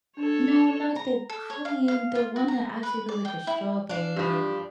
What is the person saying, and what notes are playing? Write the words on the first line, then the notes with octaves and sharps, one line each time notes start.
No, not the cream, the one that actually looked like a strawberry like
D4 A4 C#5
A#5
A4
C#5
F5
F5
F4
F#4
A#5
B4
D5
G5
E4
D4 F5
G2 F3 G4